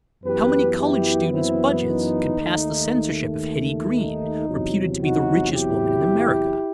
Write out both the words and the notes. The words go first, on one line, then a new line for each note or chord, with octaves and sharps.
How many college students' budgets could pass the censorship of Hetty Green, reputed to be the richest woman in America?
F#2 E3 B3 G4 B4
E4 G4
C4 E4
D#4
D#2 D#3 A3
D#4
E2 C3 F#3
D#4 F#4
E4 G4